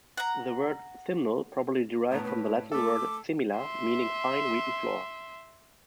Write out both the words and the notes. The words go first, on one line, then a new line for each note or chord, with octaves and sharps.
The word "simnel" probably derived from the Latin word "simila", meaning fine, wheaten flour.
F#5 A#5
A2 B3 A#5
A2 B4
A3 A4 D6
E5 C6